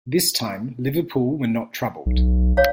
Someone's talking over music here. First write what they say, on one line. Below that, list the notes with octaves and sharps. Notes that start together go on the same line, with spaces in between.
This time Liverpool were not troubled.
B1
C#5 F5